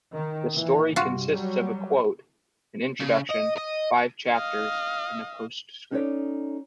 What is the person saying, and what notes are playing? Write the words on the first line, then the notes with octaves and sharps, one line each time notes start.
The story consists of a quote, an introduction, five chapters, and a postscript.
D#3
A#2 E3
G2 C3 F4 F#4
F#3 G3
C#3
D#5
D#5
D#5 F5
C#4 D#4 A4 B4 C#5 D5